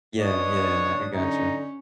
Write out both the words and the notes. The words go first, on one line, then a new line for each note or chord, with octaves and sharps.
Yeah, yeah, I I gotcha.
B3 D4 C#5 D#5 D#6
D3 C#4 D#4